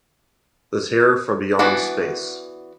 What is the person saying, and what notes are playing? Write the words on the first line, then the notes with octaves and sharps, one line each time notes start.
The Terror from Beyond Space.
E3 B3 D4 F#4